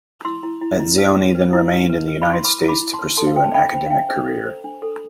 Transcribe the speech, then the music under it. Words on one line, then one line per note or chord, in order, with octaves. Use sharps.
Etzioni then remained in the United States to pursue an academic career.
E4 C6 E6
E4
E4
E4
B4
B4
B4
E4
B4
B4
B4
E4 B5
C6
B4 B5 D6
E4
B5 D6
E4
A5 C6
B4
A4 A5 C6
F5
C5 G5
A5
D4 G5 B5
C5
F5
D4 E5 G5
C5
A4
C5
D4
A4